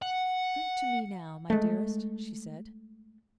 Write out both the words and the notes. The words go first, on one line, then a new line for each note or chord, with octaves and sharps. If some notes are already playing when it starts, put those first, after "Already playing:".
'Drink to me now, my dearest,' she said.
F#5
G#3 A3